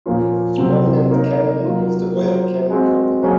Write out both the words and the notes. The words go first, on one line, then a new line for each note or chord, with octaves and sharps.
The most prominent cannery was the Royal Canning Company.
A#2 F3 A#3 C#4 F4
C3 F#3 C4
A#3 D#4 A#4 C#5
F#3 A#3 F4 A#4
F#3 A#3 F4 C5
G#3 C4 F#4
F#3 A#3 C#4 G#4